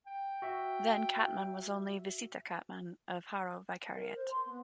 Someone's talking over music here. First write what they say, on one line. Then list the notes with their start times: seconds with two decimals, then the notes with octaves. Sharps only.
Then Catmon was only a "Visita Catmon" of Jaro vicariate.
0.06 G5
0.42 F#4 E5
3.95 A#4
4.16 C5
4.30 C6
4.46 B3